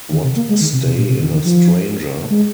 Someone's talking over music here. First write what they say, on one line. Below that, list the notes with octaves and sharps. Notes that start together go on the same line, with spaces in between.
What stay in a stranger?
D#3
C3
A#3
G#3
D#3
C3
C3
A#2
C3
D#3
D#3
F3
G#3